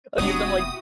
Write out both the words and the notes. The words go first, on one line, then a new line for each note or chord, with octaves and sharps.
I'll give them like
F1 F#3 B3 D4 E4 F#4 G4 D#6